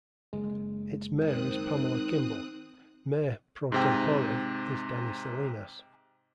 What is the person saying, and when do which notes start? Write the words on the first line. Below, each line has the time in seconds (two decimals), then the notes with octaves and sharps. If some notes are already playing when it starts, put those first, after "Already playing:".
Its Mayor is Pamela Kimball, Mayor Pro Tempore is Danny Salinas.
0.33 F#1 G#3
1.21 D#3 C4 D#6 F#6
3.72 G#2 C3 G5